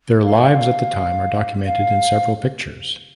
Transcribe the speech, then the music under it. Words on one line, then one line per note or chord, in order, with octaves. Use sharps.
Their lives at the time are documented in several pictures.
F5
F5